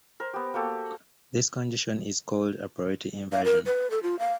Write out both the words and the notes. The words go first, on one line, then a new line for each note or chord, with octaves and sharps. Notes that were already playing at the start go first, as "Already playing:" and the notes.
This condition is called a priority inversion.
A#4 C5
B3 G4
A#3 F#4 G4 A4
F5
A#4
B4
A4
F4
F5